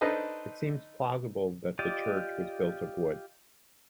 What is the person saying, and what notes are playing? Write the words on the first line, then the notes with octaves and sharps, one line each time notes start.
It seems plausible that the church was built of wood.
D4 D#4 A4 B4 C5 D#5
F4 G4 D5 D#5